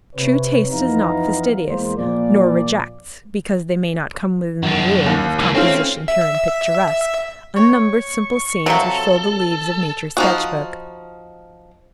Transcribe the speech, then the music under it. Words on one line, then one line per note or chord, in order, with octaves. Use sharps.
True taste is not fastidious, nor rejects, Because they may not come within the rule Of composition pure and picturesque, Unnumbered simple scenes which fill the leaves Of Nature's sketch book.
C3 B4 C#5
F2 E3 B3 D#4 F5 A#5
E2 G#3 A#3 C5
A#2 F3 D5
F#2 D3
D#2
C#2 E3
A3 C4 C#4 F4
E5
C#5 G5 C#6
C3 F#3 F4 A4 A#5
F3 D#4 F#4